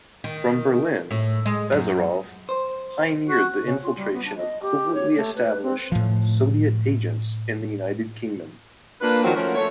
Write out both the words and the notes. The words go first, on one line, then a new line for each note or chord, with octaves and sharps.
From Berlin, Bazarov pioneered the infiltration of covertly-established Soviet agents in the United Kingdom.
D#3
A2
G#3
F#2
C5
F#4
C#3
F4
G3
B3
D4
D#5
G4
C#5
A3
B4
C4
A2 F3
A#3 D4 F4 B4
D#3 F3 F#3 C4 F4 F#4
F3 A3 C#4 F#4 A#4
A3 C#5